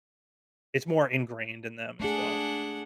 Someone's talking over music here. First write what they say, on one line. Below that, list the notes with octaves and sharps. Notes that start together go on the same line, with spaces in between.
it's more ingrained in them as well.
A3 D4 G#4 F#5